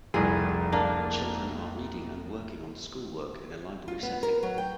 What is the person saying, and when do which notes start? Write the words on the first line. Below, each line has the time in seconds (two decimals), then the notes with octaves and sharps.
Children are reading and working on schoolwork in a library setting.
0.14 F1 C2 G#4
0.72 A#3 D4
3.88 F4
4.03 B3
4.23 A#4
4.43 F#3
4.58 G5